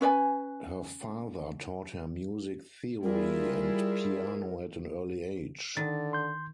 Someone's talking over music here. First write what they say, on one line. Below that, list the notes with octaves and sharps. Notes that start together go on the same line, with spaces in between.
Her father taught her music theory and piano at an early age.
C#4 B4 D5 G#5
G3 E4 F4 G#4 A#4
D3 D#3 A6
C6 G6